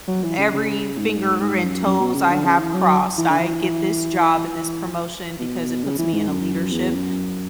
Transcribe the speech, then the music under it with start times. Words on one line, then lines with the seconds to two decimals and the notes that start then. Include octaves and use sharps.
th every finger and toes I have crossed, I get this job and this promotion, because it puts me in a leadership,
0.08 F#3
0.23 E3
0.38 C#3
0.53 C#3
0.98 G#2
1.41 G#2
1.63 F#2
1.86 F#2
2.00 B2
2.15 C#3
2.29 D3
2.45 C#3
2.59 E3
2.74 F#3
3.18 E3
3.29 D3
3.39 E3
3.62 E3
5.39 B2
5.84 C#3
5.99 E3
6.14 G#2
6.28 F#2
6.72 E2
6.95 F#2